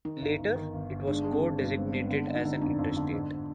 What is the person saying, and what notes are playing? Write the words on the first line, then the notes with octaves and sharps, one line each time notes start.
Later, it was co-designated as an Interstate.
D#3 D#4
G1
G1
D#3
G1
G1
G#3 D4
G#3
C4
G#3
G2 B3
G#3 C4
G2 B3
D3
D3
D#4
D3
F2 D4
F2
D3
G#2